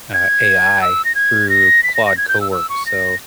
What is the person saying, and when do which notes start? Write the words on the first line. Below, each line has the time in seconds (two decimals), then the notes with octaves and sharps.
uh, AI through Claude Cowork, so,
0.14 G#6
0.82 E6
1.05 A#6
1.15 G#6
1.49 A#6
1.83 B6
1.95 A#6
2.06 A#6
2.17 G#6
2.28 G6
2.41 E6
2.52 E6
2.69 C#6
2.86 A#6